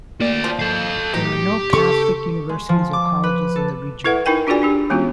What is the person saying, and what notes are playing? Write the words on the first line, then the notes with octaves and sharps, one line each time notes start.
There are no Catholic universities or colleges in the region.
A#3 F#4 D5
F3
A4 F5
A2 F#3 D#4 G4
C#3 A4 C#6
G#3
F3
D6
B4
A4
E4 A4 B4 E5 F#5
D#4 E4 A#4 G5 G#5
D4 F4 F#4 G#4 D5 G#5
D4 D#4 G4
E3 G#3 B3 C#4 F4 F#4